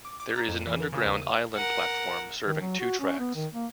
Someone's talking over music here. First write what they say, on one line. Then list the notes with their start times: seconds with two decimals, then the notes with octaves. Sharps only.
There is an underground island platform serving two tracks.
0.05 D6
0.20 D6
0.36 A#5
0.49 F2
0.67 E3
0.80 A#4
0.92 C#3
1.05 D#2
1.17 D#7
1.56 A#4 F#5
2.47 D#3
2.61 F#3
2.80 F#4
3.00 C#4
3.19 B3
3.35 D#3
3.54 A#3